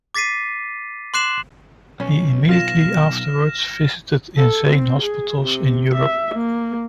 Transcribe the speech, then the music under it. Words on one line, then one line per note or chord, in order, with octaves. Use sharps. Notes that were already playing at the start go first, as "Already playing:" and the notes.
He immediately afterward visited insane hospitals in Europe.
D6 A6 B6 C7 D#7
C6 D6 F#6 C7 E7 F#7
B1 C#4
F4 F6 A#6 E7
A4
C4
G#4
C3
E5
A#3